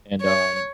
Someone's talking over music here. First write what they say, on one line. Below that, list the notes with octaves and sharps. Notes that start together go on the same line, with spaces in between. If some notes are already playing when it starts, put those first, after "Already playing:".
And, um
C#5